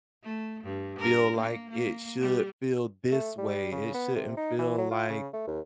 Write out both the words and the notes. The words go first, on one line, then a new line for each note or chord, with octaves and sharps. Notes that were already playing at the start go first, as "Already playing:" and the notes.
feel like, "It should feel this way. It shouldn't feel like,
A3
G2
A#4
A#3
A#3
G3
A3
G3
C#3
B3
C3
D#4
E3
F#3
F4
C#3
A3
D#2